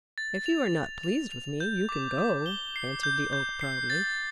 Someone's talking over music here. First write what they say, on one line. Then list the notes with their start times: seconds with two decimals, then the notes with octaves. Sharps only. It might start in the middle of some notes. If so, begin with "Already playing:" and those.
"If you are not pleased with me, you can go," answered the Oak proudly.
0.18 A6
0.46 F7
0.75 A6
1.03 F7
1.32 F7
1.60 G6
1.89 D6
2.18 D6
2.46 G7
2.76 C7
3.03 G6
3.33 G6
3.61 C7
3.90 A6